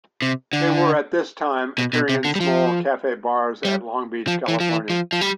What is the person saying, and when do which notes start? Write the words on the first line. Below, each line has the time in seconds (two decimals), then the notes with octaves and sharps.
They were at this time appearing in small cafe-bars at Long Beach, California.
0.22 C3
0.53 D3
1.78 B2
1.93 B2
2.09 C3
2.24 D3
2.36 G3
2.40 F3
3.65 G3
4.27 F3
4.48 E3
4.60 F3
4.69 E3
4.90 F3
5.13 F3
5.21 G3